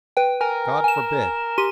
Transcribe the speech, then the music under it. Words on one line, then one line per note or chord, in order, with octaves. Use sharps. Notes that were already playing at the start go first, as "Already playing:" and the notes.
God forbid.
B4 G5
A#4 G#5
G#5 E7
G4 C6 D#7